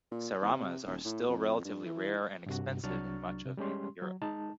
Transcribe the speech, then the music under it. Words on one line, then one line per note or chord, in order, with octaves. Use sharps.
Seramas are still relatively rare and expensive in much of mainland Europe.
A#2
E2
C3
D#1
A2
F2
G2
E3
G2 C3 F#4
C2 F#3 D4 C#6 F6 A6
C3
G3 G#3 C#4 G4 C6
F#3
G#3 D#4 A5